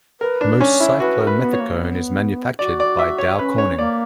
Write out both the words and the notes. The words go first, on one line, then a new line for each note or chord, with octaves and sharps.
Most cyclomethicone is manufactured by Dow Corning.
A#4 B4
D4
C#4 C#5
E4
F#4 B4
A#4
B4
B3
C#5
A#3
B3
F#4 D5
D5
E5
C#5
C#4 B4
C#5
A#3 D5